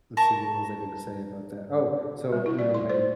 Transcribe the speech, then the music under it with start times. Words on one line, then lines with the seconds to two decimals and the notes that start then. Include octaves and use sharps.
let's see, what was I going to say about that oh, so, you know, my
0.17 A#4 A5 A#5 C#6
2.32 G3
2.46 E4
2.59 D5
2.74 C6
2.90 C5